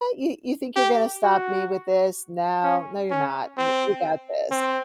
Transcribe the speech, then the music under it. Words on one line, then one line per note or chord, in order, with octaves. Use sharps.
you you think you're gonna stop me with this? No no, you're not. W we got this."
G4
F#4
C#4
C#4
C4
C4